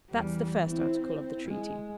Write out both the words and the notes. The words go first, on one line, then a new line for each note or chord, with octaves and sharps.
That's the first article of the treaty.
E2 G3
C4 E4
E4
G#3